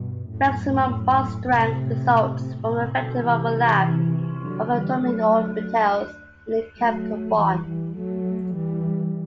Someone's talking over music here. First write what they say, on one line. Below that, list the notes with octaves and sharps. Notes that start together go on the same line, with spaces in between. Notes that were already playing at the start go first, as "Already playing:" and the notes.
Maximum bond strength results from effective overlap of atomic orbitals in a chemical bond.
Already playing: G2 B2
F#2 A2
A2 C3
A2 C3
B2 D3
C3 E3
D3 F#3
E3 G3
F#3 A3
F#3 A3
E3 G3
E3 G3
F#3 A3
E3 G3